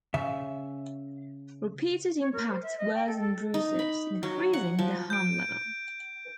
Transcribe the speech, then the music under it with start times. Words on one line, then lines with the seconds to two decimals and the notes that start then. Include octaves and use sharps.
Repeated impacts worsen bruises, increasing the harm level.
0.14 C#3 E5
2.20 C#5
2.33 A#4
2.49 C5
2.63 E5
2.78 D#5
2.94 G5
3.07 A4
3.20 A4
3.54 D#4
3.79 B5
4.23 F#3
4.53 F#5
4.79 F3
5.10 G6 D7